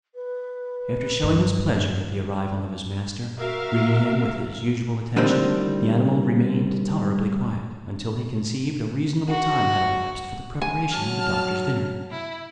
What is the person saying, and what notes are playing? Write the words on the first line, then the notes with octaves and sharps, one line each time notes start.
After showing his pleasure at the arrival of his master, greeting him with his usual attention, the animal remained tolerably quiet until he conceived a reasonable time had elapsed for the preparation of the Doctor's dinner.
B4
G2 D#3
F#4 A#4 E5 F5
A2 D3 D#3 G3 C4
F#4
G#5
F#3 A5 F6
E4